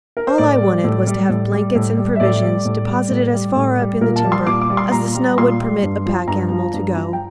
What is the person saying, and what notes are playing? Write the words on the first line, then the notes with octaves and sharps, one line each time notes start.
All I wanted was to have blankets and provisions deposited as far up in the timber as the snow would permit a pack animal to go.
A#4
C5
A2 D5
G3
A2
G3
A2
G3
A2
G3
E5
A2 D5
G3
A2
G3
A2
G3
A2
G3
A#2 A#4
A5
G3
C6
A#2 D6
D6
G3
C6
A#2 A#5
G3
A#2 C6
G3
G2
F3
G2 A#5
F3
G2
F3
G5